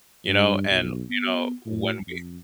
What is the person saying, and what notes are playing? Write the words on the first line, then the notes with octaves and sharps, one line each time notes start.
you know, and, you know, when we
G2
B1
B3
A2
F2